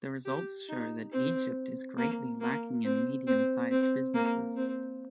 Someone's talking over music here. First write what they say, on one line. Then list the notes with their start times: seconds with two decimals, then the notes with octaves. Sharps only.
The results show that Egypt is greatly lacking in medium-sized businesses.
0.25 G4
0.69 D#4
1.12 C4
1.98 A#3
2.41 A#3
2.84 C4
3.27 C4
3.71 C4
4.14 A#3
4.56 C4